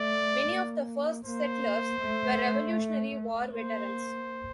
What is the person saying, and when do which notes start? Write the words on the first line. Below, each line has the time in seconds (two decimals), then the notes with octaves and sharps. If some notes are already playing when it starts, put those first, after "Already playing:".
Many of the first settlers were Revolutionary War veterans.
Already playing: A3 D5
0.48 A#3
1.25 A#3 C5
2.01 A3
3.53 A#3 C5